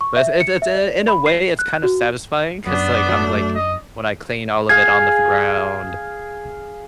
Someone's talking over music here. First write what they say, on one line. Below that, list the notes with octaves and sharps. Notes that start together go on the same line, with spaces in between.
But it's it's it's in a way it's kind of satisfying 'cause, like, I'm like, when I clean all of it on the f ground,
C#6
E5
C#7
E5
D5
B5
C7
F#6
F#4
F#2 B3 D4 D5
F#3 A3
D#5
G#4 F5 G#6